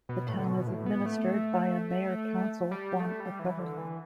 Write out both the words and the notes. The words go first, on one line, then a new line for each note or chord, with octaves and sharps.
The town is administered by a mayor-council form of government.
B2
A2
D3
B2
A2
B3
A3
G3
A3
G3
E3
D3
E3